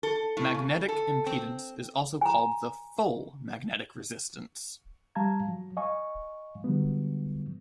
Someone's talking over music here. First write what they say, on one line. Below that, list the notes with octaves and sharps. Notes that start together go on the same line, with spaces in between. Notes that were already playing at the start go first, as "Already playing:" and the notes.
Magnetic impedance is also called the "full" magnetic resistance.
A4
A2
C#3
A4
C4
G#5 A#5
G3 F5 A5 A#5 G#6
F#3
D#5 F5 G#5 C#6
D3 F#3 G3 B3